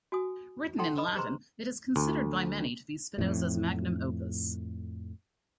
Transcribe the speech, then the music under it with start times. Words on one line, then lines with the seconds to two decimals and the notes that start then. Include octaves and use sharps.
Written in Latin, it is considered by many to be Spinoza's "magnum opus".
0.12 F#4 G#5 D#6
0.78 D#4 A4 F#5 G5 C6
0.97 B4 D#5 B5 D#6
1.15 G4 G#4 B4 C5 A#5 C6
1.96 D2
3.18 F2 A2